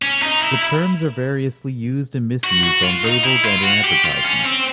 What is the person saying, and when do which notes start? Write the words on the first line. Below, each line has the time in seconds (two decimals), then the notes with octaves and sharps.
The terms are variously used and misused on labels and in advertisements.
0.02 C#4
0.23 D#4
0.42 E4
2.44 F#4
2.63 F#4
2.84 F4
3.05 D#4
3.24 E4
3.45 F4
3.64 F#4
3.84 G4
4.05 F4
4.24 C#4
4.45 C4